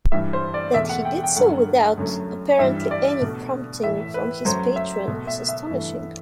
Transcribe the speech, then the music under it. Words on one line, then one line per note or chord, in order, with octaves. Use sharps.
That he did so without, apparently, any prompting from his patron is astonishing.
G2 E3 G3 E5
C5
D5
E2 B2 A3 E5
F#5
G5
G5
G2 D3 F#3 A3 F#5
F#2 D3 F#3 A3
G2 E3 G3 E5
D5
B2 A3
A2 E3 A3 E5
B4
F#2 F#3 A3 C5
E5
B2 A3
E5
E5
G2 E3 A3